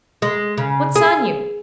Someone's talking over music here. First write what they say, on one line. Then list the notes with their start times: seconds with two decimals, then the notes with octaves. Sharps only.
What's on you?
0.22 G#3
0.58 C#3
0.96 G#4